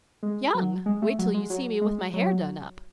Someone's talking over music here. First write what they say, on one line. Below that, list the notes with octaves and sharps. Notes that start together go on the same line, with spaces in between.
"Young!--Wait till you see me with my hair done up."
G#3
F#3
G#3
A3
F#3
G#3
F#3
G#3
F#3